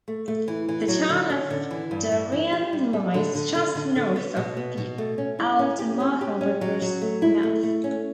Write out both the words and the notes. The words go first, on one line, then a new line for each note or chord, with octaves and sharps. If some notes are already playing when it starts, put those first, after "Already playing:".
The town of Darien lies just north of the Altamaha River's mouth.
A3
A3
E3
E3
F#3
D3
C#4
D3
E3
G2
G2
E3
G4
G3
G3
D3
D3
D3
D3
D3
B3
B2
B3
B2
A3
C#4
E4
C#4
G4
C#4
G4
C#4
F#3
F#3
A3
E4
A3
A3
C#4